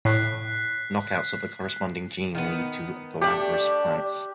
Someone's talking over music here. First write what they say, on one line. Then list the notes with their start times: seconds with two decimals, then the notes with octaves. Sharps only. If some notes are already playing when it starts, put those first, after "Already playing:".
Knockouts of the corresponding gene lead to glabrous plants.
0.05 A2 F#6 B6 C7
2.35 D#3 B3
3.21 A3 D4 G4